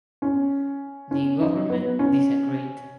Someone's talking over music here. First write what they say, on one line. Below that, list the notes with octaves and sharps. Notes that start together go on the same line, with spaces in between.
The government disagreed.
C#4
C#4
D#4
B3
C#4